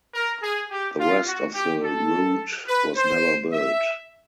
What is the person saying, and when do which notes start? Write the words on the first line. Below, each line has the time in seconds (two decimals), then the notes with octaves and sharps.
The rest of the route was never built.
0.14 A#4
0.42 G#4
0.71 G4
0.98 F4
1.26 F#4
1.55 G4
1.83 A4
2.67 B4
2.96 C5
3.52 E5